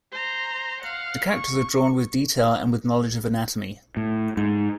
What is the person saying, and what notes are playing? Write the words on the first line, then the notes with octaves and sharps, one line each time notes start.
The characters are drawn with detail and with knowledge of anatomy.
C5 A#5
F5 F#5
C#6
A2
G#2